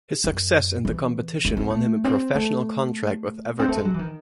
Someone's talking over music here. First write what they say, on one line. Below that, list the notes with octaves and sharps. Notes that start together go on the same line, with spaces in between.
His success in the competition won him a professional contract with Everton.
F#2
E3
A3
C4
A3
C4
A3
C4
A3
G#3
F#3
E3
D#3